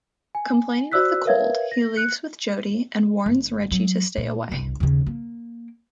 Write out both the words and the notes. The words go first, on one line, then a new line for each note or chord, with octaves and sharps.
Complaining of the cold, he leaves with Jody and warns Reggie to stay away.
G#5
F#4 C5 D5 E6 F#6 B6
A#4 B4 C#5 E5 F5 G#6
A#6
F#6 C#7
G1
F#3
A#2
G1 C2
D#2 C#3
A#3